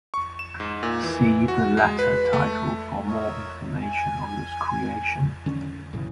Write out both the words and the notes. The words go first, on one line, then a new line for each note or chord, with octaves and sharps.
See the latter title for more information on this creation.
C#6
E7
G#2
A#2
E3
F#4
G#3
B4
A3
F4 A#4 C#5 D#5 E5
G#5
D3 C#4
B1 A2 C#3 E3